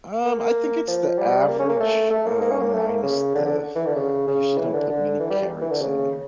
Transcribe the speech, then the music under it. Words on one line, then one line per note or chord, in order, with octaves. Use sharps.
Um, I think it's the average, uh, minus the I usually don't put many carrots in there.
A#3
A#3
F3
G3
A#3
C#4
A#3
A3
A3
A#3
A#3
C#4
A#3
A3
A#3
C#3
D3
D3
E3
D3
C#3
C#3
E3
D3
D3
E3
G3
E3
D3
C#3